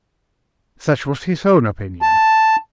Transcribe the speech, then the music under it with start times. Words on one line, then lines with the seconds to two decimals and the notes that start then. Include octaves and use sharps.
Such was his own opinion.
2.02 A5